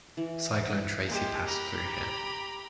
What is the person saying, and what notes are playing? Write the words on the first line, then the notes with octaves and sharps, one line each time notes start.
Cyclone Tracy passed through here.
E3
G#3 A#3 G4
G4 A#5 B5